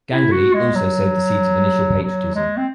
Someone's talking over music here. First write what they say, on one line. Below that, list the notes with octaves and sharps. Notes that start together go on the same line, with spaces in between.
Ganguly also sowed the seeds of initial patriotism.
E4
F#4
G#3
F#3
F#3
G#3
C4